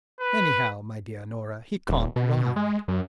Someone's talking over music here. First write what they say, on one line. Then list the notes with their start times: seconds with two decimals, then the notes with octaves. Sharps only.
"Anyhow, my dear Norah, he can't ride."
0.20 B4
1.89 D#1
2.16 B2
2.37 B2
2.56 G#3
2.88 F#2